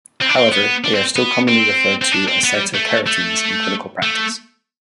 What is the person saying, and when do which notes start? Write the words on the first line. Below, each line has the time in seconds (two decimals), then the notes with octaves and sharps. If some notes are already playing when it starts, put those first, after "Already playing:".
However, they are still commonly referred to as cytokeratins in clinical practice.
0.21 C4
0.29 D4
0.36 C4
0.52 B3
0.84 D4
0.95 C4
1.16 B3
1.48 C4
2.02 C4
2.12 D4
2.28 C4
2.44 B3
2.55 G3
2.75 A3
3.07 A3
4.02 A3